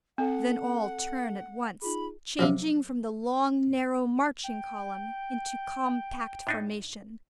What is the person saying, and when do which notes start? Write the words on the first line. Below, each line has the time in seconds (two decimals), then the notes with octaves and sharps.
Then all turn at once, changing from the long, narrow marching column into compact formation.
0.18 C4 A4 F#5 A5
1.82 D#4 F4 G#4 B5
2.39 C3 F3 F#3
4.45 G5
6.47 A2 D4 D#4